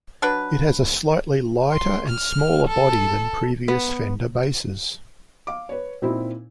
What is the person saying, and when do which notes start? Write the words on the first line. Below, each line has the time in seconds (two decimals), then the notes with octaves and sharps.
It has a slightly lighter and smaller body than previous Fender basses.
0.22 F#3 D4 B4
1.71 C6
2.08 F6
2.67 A4
3.68 B3
5.47 F5 D6
5.69 B4 C#5
6.02 A#2 C4 D#4 E4